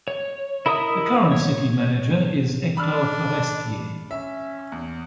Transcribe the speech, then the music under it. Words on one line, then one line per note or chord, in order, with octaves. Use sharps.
The current city manager is Hector Forestier.
C#5
E4 A#4 D#5 E5 D#6
C#5
D4 B5 E6 F6
C#4 E5
E2